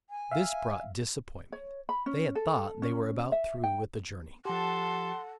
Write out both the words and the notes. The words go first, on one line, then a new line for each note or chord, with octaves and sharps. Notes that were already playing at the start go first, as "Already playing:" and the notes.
This brought disappointment; they had thought they were about through with the journey.
G#5
E5 F5
C#5
B5
C#4
A4
C#4
E5
G5
F3 G4 A4 F#5 A5 C6